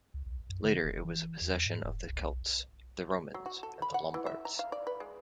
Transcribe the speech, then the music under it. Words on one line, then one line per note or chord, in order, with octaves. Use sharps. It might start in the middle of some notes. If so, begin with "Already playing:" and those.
Later it was a possession of the Celts, the Romans and the Lombards.
C#2
B1
F#2
D3
F1
E3
E2
G#2
E1
C2
B1
F#3
F#4
A4
B5
F#5
E3
E5
A#5
F5
D5
B4
G#3